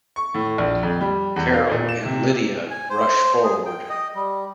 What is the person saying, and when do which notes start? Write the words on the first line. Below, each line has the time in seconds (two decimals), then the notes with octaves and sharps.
Carol and Lydia rush forward.
0.16 C#6
0.34 A2
0.58 A#1
0.83 F2
1.01 G3
1.36 E2
1.54 F5
1.71 A#2
1.89 E7
2.05 C3
2.71 G#5
2.90 C5
3.44 G#4
3.65 G5
3.89 D#5
4.15 G3